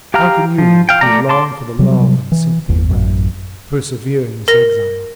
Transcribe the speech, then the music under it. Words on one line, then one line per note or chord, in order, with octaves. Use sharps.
How can you, who long for the love and sympathy of man, persevere in this exile?
G4 F5 G5 A#5 F6
F3
F5 G5
A3 D5 A#5
A5 C6 D6
C3 F#3 G3
E3
G1 E2
A1 F#2
A#4 A#6